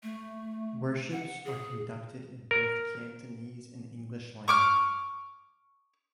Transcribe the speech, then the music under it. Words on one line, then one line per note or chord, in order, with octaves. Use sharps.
Worships are conducted in both Cantonese and English language.
A3
F#5
G#4
A#4
C#6 D6 F6